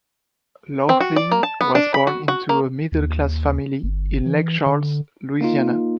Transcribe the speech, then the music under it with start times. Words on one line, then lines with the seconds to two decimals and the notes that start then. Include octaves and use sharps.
Laughlin was born into a middle-class family in Lake Charles, Louisiana.
0.89 C4
1.00 F#4
1.16 D5
1.31 A#3
1.43 A5
1.61 B3
1.75 D4
1.94 B5
2.07 F#4
2.28 F#4
2.49 A#3
2.92 D#2
3.83 G1
4.26 E3
4.66 D3
5.41 A#3 D#4 F4